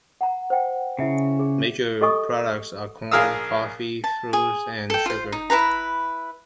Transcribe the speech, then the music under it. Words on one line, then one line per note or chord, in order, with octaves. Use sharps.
Major products are corn, coffee, fruits, and sugar.
F#5 A#5
C5 F#5 G5
C#3 E4 E5 G#5
G#4
G4 A4 D#5 G#5 C#6 D#6
A#1 G#4 A#4 F5 D#6 E6
A5
G#4
A4 G5
F4 C5
D#4
E4 A4 B4 A#5